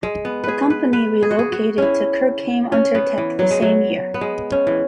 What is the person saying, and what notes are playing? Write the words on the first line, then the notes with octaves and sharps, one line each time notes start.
The company relocated to Kirchheim unter Teck the same year.
G#3
B3
G#4 B4
B4
B4
G#4
F#4
G#4
F#4
C#4 E4
C#4
B3
E3
F#3
G#3
F#3
B3
G#3
C#4
E3